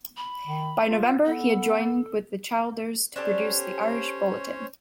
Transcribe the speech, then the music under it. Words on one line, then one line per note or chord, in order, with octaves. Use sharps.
By November he had joined with Childers to produce the Irish Bulletin.
B5
D#3
F4
B3 A4
C#4 D4 G4 A4 C5 C#5